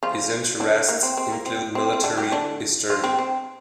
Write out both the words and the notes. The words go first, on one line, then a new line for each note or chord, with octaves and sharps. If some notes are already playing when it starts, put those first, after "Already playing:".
His interests include military history.
F3 F4
D3 D4
A#3
C4
C4
A#3
C4
C4
C4
D3 D4
G3 G4
D3 D4
F3 F4
C4
C4